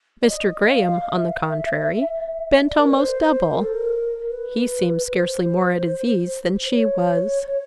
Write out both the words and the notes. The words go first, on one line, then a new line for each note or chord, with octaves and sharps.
Mr. Graham, on the contrary, bent almost double--he seemed scarcely more at his ease than she was.
D5
D#5
F5
E5
D5
A#4
B4
C5
C5
A#4
A4
A#4
B4
C5
C5
C#5